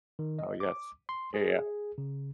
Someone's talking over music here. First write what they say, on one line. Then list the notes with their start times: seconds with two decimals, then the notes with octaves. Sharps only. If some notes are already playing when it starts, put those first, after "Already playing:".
Oh, yes. Yeah, yeah.
0.19 D#3
0.39 D#5
0.60 D6
1.09 C6
1.34 G#4
1.98 C#3